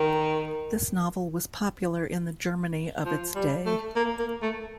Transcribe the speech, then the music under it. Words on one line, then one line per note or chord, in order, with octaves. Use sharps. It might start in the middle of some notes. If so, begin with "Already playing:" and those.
This novel was popular in the Germany of its day.
Already playing: D#3
F3
G3
A3
A#3
A#3
A3